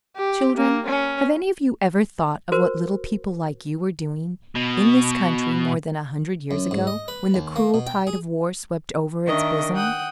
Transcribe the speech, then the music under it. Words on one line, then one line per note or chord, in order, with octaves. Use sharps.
Children, have any of you ever thought of what little people like you were doing in this country more than a hundred years ago, when the cruel tide of war swept over its bosom?
G4
A#3
C#4
F#4 A#4 C5
B2
F#2
G#2
D#5
B4
D#2
A#3
B2
G5
G#4
D#3 D4 A#4 D#5 E5 C#6
F#5 G5 D#6 F#6